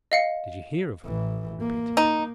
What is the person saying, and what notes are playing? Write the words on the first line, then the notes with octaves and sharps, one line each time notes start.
"Did ye hear of her?" repeated Dick.
D#5 F5 C#7
A1 E3
A#3
D#4